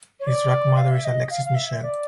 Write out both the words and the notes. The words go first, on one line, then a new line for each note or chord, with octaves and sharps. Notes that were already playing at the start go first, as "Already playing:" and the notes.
His drag mother is Alexis Michelle.
C#5
D5
F5
E5
D#5
F5
F5
E5
D5